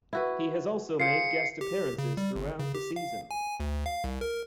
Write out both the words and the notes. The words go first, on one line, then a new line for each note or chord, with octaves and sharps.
He has also made guest appearances throughout the season.
E4 F#4 B4
F4 G#4 C5 C7 C#7
G4
C#3
G3
G1
C#3
G4
F5
G#5
D2
F5
C2
A#4